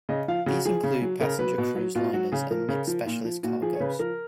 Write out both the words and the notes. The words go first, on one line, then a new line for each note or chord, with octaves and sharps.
These include passenger cruise liners and mixed specialist cargoes.
C#3 D#5
F3 F5
C#3 F#4
F3 G#4
C#3
F#3
C#3 A#4
F#3 B4
B2
F#3
B2 F4
F#3 F#4
C#3 G#4
F3 A#4
C#3
F3
A#2
F3
A#2 F#4
F3 G#4
C#5
C#3 B4
F3 A#4